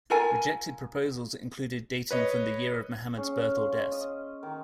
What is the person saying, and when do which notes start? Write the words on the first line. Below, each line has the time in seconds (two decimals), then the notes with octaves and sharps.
Rejected proposals included dating from the year of Muhammad's birth or death.
0.10 F4 A4 A#4 G#5
2.11 B4 C#5 D#5
3.17 C#4 G#4
3.42 F5
3.57 F4
3.92 D#5
4.43 D#3